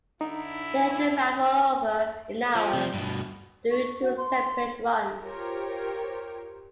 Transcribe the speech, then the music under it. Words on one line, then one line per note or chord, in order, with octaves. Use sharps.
The engine ran for over an hour during two separate runs.
D3 D#4 E4
F3
C3 F3
G2 B2
C#6
F#4
C6
F4 G4 A#4 C5 C#5 G5